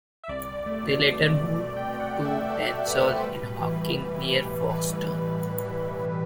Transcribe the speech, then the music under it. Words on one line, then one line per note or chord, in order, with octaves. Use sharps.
They later moved to Densole in Hawkinge near Folkestone.
E5
C2 D5
C2
A3
B2
A3
C2
C2
C2
B2 G5
B2
F#5
C2
E5
C2
A3 A4
B2
A3 B4
F#5
E5
B2 D5
C5
G3 B4
A2
E3
E3
G3
E3
G3
G3
E3 B4
G3
E3
G3
A2
E3
A2
A2